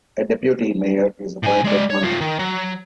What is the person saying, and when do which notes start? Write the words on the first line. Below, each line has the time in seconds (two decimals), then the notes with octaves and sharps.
A deputy mayor is appointed monthly.
1.44 A2 G#5
1.65 G#3 D5
1.90 C#5
2.03 A3 F4
2.21 D#3
2.39 F#3